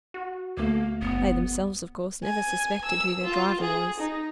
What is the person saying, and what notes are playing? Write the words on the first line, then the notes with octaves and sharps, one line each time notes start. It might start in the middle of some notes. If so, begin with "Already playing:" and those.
They, themselves, of course, never suspected who their driver was.
F#4
D2 A3 A#3
F#1 B3
G#5
E6
F4
G#4
D#4